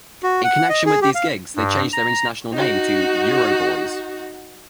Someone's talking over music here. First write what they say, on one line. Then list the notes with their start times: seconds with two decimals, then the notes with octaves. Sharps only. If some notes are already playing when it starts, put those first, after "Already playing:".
In connection with these gigs, they changed their international name to Euroboys.
0.23 F#4
0.44 F#5
0.70 D#5
0.86 G#4
1.02 G4
1.15 F5
1.56 G2
1.93 A#5
2.52 D#4 F#4